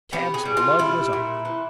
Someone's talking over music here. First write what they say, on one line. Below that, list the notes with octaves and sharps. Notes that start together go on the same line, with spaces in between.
Tad's blood was up.
B3 G4
G#4
G3
F4
G3 E4
A#2
E3